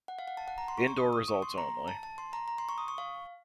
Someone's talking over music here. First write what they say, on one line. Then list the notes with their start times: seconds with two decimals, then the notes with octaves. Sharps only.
Indoor results only.
0.08 F#5
0.19 F5
0.28 F#5
0.37 A5
0.48 F#5
0.58 A#5
0.68 C6
0.78 C#6
0.88 C#6
0.97 D#6
1.13 D#6
1.28 C#6
1.42 C6
1.58 A#5
1.88 A5
2.03 A5
2.18 C6
2.33 A#5
2.48 A#5
2.58 C6
2.69 C#6
2.78 D#6
2.88 C#6
2.98 F5